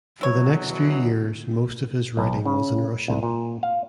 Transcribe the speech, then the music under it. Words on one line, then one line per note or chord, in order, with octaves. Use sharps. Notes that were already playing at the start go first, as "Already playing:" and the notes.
For the next few years most of his writing was in Russian.
E2 B2 F#3 E4 C#5
B1
C#3
C2
A#2
F5